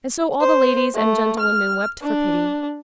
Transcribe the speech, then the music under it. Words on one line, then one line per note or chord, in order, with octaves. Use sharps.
And so all the ladies and gentlewomen wept for pity.
C5
A3
F6
D4